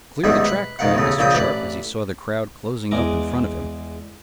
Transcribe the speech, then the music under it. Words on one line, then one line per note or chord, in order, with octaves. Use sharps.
"Clear the track!" cried Mr. Sharp, as he saw the crowd closing up in front of him.
A1 E2 G#2 D#3 G3 E5
B4
G#2 D#3 A#4 F5 F#5
A1 E2 C#3 A3
A#1 A#2 C#3 C4 G5 D#6
A1 B4 D5
E2 G#3 A#5 D6